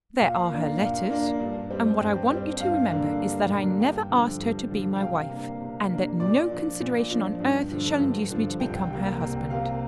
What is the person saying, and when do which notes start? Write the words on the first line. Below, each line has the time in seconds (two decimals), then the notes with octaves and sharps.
There are her letters, and what I want you to remember is that I never asked her to be my wife, and that no consideration on earth shall induce me to become her husband.
0.19 A#2 F5
0.51 A#3 D4
0.79 A#2 F5
1.11 A#3 D4
1.40 G2
1.71 G3 C4
2.00 G2 G5
2.30 G3 C4
2.60 G2 F5
2.91 D3 A#3 D4
3.20 G2
3.51 D3 A#3 D4
3.80 G2 G5
4.10 D3 F3
4.41 G2
4.71 D3 F3
4.96 G5
5.00 C3 F5
5.30 A#3 D4
5.60 C3
5.90 A#3 D4
6.20 A#2 D5
6.51 F3 D4
6.80 A#2
7.10 F3 D4
7.40 G2
7.71 D3 F3
8.00 G2
8.30 D3 F3
8.60 C2 G5
8.91 C3 A#3
9.20 C2 G5
9.50 C3 A#3 F5